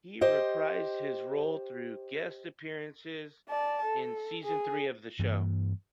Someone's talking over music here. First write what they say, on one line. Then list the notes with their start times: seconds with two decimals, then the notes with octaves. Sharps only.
He reprised his role through guest appearances in season three of the show.
0.21 G4 C5 D#5
3.49 D5 A5
3.85 A4
4.44 G#4
5.19 G2 E3 A#3